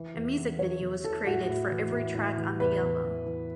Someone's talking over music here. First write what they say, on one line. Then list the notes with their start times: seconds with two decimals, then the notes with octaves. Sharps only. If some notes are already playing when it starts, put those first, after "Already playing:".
A music video was created for every track on the album.
Already playing: E3
0.14 E2
0.37 E2
0.59 E2 C#5
0.81 E2
1.04 E3 A4
1.26 A2 F#4
1.49 A2
1.71 E3
1.93 A2
2.14 A2
2.37 E3
2.60 E2 B4
2.81 E2
3.04 E3
3.26 E3